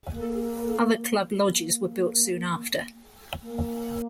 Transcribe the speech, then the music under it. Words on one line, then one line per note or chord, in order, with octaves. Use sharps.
Other club lodges were built soon after.
A#3
A#3
A#3